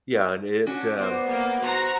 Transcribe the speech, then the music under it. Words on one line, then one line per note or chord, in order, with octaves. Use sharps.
Yeah, and it, um,
C#4 D4 F#4
B3 F#4 C5 D5
A#3
F#4 C5 A#5